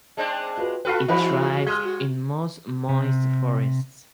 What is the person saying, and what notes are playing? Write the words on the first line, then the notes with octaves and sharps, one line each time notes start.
It thrives in most moist forests.
G#3 C4 D4 A5
F4 F#4 B4
F4 F#4 A4 B4 G5 F6 C7
E3 G#3 E4 C5 B5
G3 F6 G#6
F#4
C3